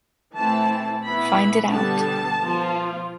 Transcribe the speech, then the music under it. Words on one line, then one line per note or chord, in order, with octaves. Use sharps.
Find it out!
E3 A3 C4 E4 A5
E3 B3 E4 B5
D3 G3 B3 A5
F3 B3 F4